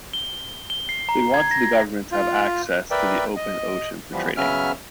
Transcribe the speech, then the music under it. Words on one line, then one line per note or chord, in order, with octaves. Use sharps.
They wanted the government to have access to the open ocean for trading.
G7
G7
C7
A#5
G#6
A#6
F4
A#4 B4 D5 E5 G5
D#5
E3 F3 G3 B3
C#3 F#3 B3 C#4 E5 F6